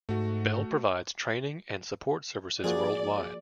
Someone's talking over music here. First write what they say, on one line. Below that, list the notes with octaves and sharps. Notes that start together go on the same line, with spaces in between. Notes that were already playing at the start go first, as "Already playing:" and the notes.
Bell provides training and support services worldwide.
G#2 A3 F#4
F3 A#3 F#4 G#4 D5